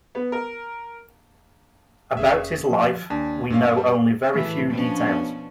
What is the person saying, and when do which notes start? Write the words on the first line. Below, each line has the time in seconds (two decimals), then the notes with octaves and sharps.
About his life we know only very few details.
0.15 B3
0.32 A#4
2.17 F1 C#4 G#4 E5
2.71 F3
3.10 D#2 D4 G#5
3.50 G2 A#2 C#4 F5
3.77 G3
4.33 A2 E3 A3
4.68 B2 F3 C#4 D4